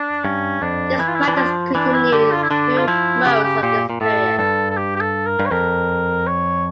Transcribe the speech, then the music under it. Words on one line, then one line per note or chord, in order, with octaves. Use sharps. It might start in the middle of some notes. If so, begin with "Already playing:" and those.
This practice continued through most of this period.
Already playing: D4
G2 C#4
F2 D4
E3 E4
F4
E4
E3 D4
F3
E3 D4
E4
D3 G4
F4
E4
D3 D4
F4
F3 E4
C#3 G4
G4
A#2 G4
A#2
A2 A4
G2 A4
A4
G4
G4
A4
A#4
G2
C#5
F2 A#4
C#5